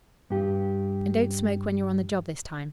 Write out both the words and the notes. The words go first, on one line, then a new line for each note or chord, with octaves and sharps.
And don't smoke when you're on the job this time.
G2 G4